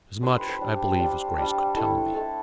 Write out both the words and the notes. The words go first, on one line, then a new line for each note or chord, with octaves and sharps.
"As much, I believe, as Grace could tell me."
G3 D4 C5
B4
C5
G3 D4
G3 D4
G3 D4
A3 E4 A4
A3 E4 A4